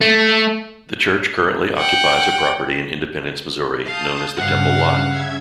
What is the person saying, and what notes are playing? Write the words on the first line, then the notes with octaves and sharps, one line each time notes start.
The church currently occupies a property in Independence, Missouri, known as the Temple Lot.
A3
F#5 G5
F5 A5 D#6 G6
G2 C#3 F5 F#5
C#3 E5 G#6